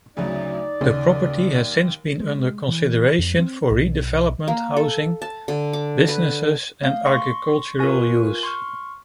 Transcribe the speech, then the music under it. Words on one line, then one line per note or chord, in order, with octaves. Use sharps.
The property has since been under consideration for redevelopment housing, business and agricultural use.
D2 C#3 F#3 D#4 D5
D#2 C#3
G#3
E3
F2
C4
B1
A#3
A4
A5
D3
D6
B4
A3 F5
C6 C#6 A#6
F4 A#4 B4 G#5 C#6
C6 C#6 F6